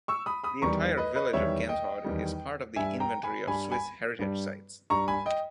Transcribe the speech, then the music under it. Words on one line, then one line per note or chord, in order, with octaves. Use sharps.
The entire village of Genthod is part of the Inventory of Swiss Heritage Sites.
C#6 E6
B5 D#6
B5 D#6
E2 D#3 G3 A#5 C#6
B4 D#5
B4 D#5
E2 D#3 G3 C#5 E5
D#5 G5
E2 D#3 G3
G2 G3 E5 G#5
G5 A#5
G#5 B5
G2 G3 G#5 B5
G#5 B5
G2 G3
G2 G3 A#5 C#6
G#5 B5
D#5 G5